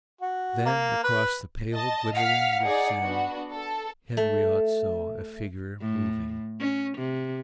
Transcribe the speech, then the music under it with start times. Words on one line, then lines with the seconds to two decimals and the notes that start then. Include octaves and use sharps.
Then, across the pale glimmering of sand, Henriot saw a figure moving.
0.21 F#4
0.65 A#3
1.04 B4
1.73 D#5 A5
2.15 F5 F#5 F6 B6
2.64 D#4 G#4 D5
3.01 B3 D4 F#4
3.51 A4
4.17 A3
5.81 A2
6.60 C#4
6.98 C3